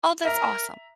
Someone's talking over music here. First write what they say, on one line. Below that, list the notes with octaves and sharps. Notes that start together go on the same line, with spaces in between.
Oh, that's awesome.
A#4 E5 A#5